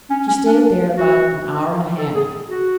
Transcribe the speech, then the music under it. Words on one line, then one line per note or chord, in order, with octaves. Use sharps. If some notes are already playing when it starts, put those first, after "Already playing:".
She stayed there about an hour and a half.
C#4
C#4
D4
F#4
A4
G#4
F#4